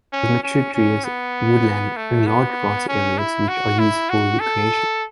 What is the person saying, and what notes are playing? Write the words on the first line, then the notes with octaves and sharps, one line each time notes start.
With mature trees, woodland, and large grassy areas which are used for recreation.
C#4
C#4
C#4
B3
A3
B3
C#4
E4
F#4
E4
F#4
A4